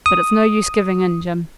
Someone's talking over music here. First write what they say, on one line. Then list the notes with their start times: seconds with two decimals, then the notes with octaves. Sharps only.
But it's no use giving in, Jim.
0.06 D#6